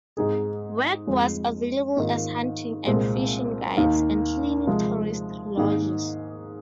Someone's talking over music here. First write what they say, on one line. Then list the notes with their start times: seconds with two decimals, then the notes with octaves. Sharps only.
Work was available as hunting and fishing guides and cleaning tourist lodges.
0.17 G#2 G#3 D#4 G#4
1.07 F2 F3 G#3
1.97 G#2 D#3 A#3 F4
2.87 C2 A#2 G#3 C4
3.77 D#2 D#3 A#3
4.67 C3 F3 G#3
5.57 G#2 D#3 A#3 G#4